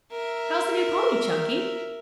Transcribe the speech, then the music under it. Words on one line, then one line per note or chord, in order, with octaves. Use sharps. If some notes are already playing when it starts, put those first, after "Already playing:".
How's the new pony, Chunky?
A#4 E5